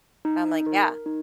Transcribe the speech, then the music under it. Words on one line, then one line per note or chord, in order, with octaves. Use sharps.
I'm like, "Yeah."
D#4
A#4
D#4